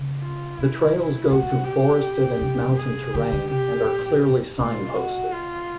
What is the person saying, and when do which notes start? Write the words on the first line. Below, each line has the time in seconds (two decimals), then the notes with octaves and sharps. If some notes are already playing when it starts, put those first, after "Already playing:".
The trails go through forested and mountain terrain, and are clearly signposted.
Already playing: C#3
0.22 F4
0.58 C3 E4
1.31 B2 F#4
1.42 B2
1.50 C3
1.68 B2 G4
2.41 C3
2.78 G#4
3.14 D3 G4
3.33 D3
3.51 C3 G4
3.69 A#2
4.60 A2 F4
4.72 A#2
4.85 B2
4.96 F#4
5.32 F4